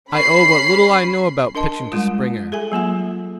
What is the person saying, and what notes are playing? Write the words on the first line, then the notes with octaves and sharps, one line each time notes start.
I owe what little I know about pitching to Springer.
C#4 B5 C7
D4 A#4 D#5 A5 C6
G3 G#3 F4
G#4 A4 E5 G#5
F#3 A#3 F4 F#5